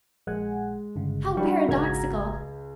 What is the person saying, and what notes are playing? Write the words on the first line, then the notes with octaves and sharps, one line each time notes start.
How paradoxical!
A#1 G#3 F#5 G#5
G1 C#3
G3 D4 F#4 G5 B5 C#6
G#1 C#2 A#5 G#6